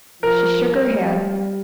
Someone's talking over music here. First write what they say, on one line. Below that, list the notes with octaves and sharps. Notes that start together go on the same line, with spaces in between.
She shook her head.
F3 A#4
G3